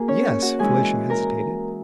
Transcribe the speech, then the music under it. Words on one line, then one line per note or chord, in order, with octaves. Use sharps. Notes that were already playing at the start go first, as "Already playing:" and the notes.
"Yes." Felicia hesitated.
Already playing: A#3 F#4 G#4 A#4
C#4 C#5
F#4 F#5
E3 G#3 C#4 E4 G#4 G#5
A#4 A#5